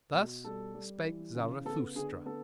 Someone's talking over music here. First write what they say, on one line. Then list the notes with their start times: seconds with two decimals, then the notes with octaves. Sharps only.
Thus spake Zarathustra.
0.14 B2
0.44 G3 A4
0.75 G3
1.05 E3
1.35 C#3
1.65 B3 A4
1.95 D3 G#4
2.26 B3 A4